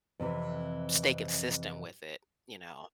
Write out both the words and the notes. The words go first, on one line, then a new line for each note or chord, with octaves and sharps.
stay consistent with it, you know.
F2 C3 E3